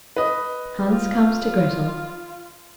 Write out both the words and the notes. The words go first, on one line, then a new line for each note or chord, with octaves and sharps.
Hans comes to Grettel.
B4 D#5
F4